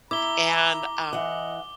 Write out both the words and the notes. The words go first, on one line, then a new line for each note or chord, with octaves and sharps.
and, um,
E4 A#5 D6 G7
E3 D#5 F#5